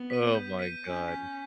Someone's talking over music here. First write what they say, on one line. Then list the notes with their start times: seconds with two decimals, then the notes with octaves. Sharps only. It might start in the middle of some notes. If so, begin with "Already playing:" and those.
Oh my god.
Already playing: B3
0.10 B6 D#7
0.35 G6
0.59 B6 D#7
0.84 C#4 G6
1.08 B6 D#7